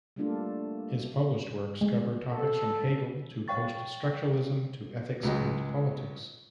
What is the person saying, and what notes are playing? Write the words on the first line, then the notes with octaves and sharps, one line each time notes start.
His published works cover topics from Hegel to post-structuralism to ethics and politics.
G3 A3 A#3 D4 F4 A4
G#3
A4
C#5 F5 G5 C#6 A6
C#2 F#3 G#3